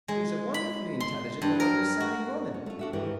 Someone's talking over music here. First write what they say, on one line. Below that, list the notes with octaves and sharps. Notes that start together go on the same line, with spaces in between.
She is a wonderfully intelligent and understanding woman.
G#3
B5
C6
G2
A#4
F#4
C#4
A3 F4
D4 F#4 E5
D2 G#2 D#3 E3 G4 A#4